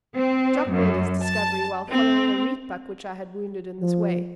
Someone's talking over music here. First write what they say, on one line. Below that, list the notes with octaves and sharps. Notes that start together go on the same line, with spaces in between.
Jock made his discovery while following a rietbuck which I had wounded in this way.
C4
F#2
A5
C4
F3